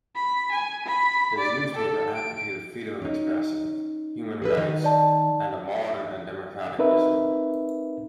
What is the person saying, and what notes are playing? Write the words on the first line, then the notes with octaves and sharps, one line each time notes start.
His newspaper advocated freedom of expression, human rights and a modern and democratic Islam.
B5
G#5
B5
D5
A4
D7
C#4 D#4
G#4 A4 B4
D#3 D#5
D5 A5
C4 D#4 A#4 B4 E5